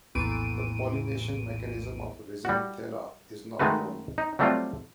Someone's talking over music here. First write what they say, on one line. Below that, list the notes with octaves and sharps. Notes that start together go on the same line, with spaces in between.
The pollination mechanism of "Rhizanthella" is not known.
A#1 E2 A2 B3 D7 D#7
G3 F#4
D#3 G#3 A3 F#4 B4
D#4
F#3 G3 A3 C4 D4 F4